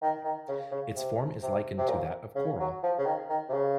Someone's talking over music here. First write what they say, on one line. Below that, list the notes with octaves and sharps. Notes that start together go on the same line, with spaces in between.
Its form is likened to that of coral.
D#3
D#3
C#3
C#3
C3
C3
C3
A#2
C#3
F#3
F3
C#3
D#3
D#3
C3
C#3